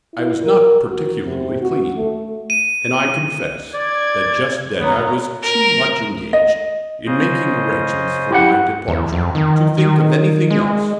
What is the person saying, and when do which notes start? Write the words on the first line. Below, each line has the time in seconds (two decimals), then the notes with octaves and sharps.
I was not particularly clean, and I confess that just then I was too much engaged in making arrangements for my departure to think of anything else.
0.14 E4
0.43 A#4
0.91 F#4
1.24 C3
1.61 F#4
1.96 A3
2.50 D#7
3.74 D5 G#6
4.80 B3 C#5 A#5
5.42 A#4
6.33 D#5
7.06 C#3 C5 D#5
8.31 E4 G4 F#5
8.88 E2
9.13 F2
9.35 D#3
9.78 D#3
10.51 G#3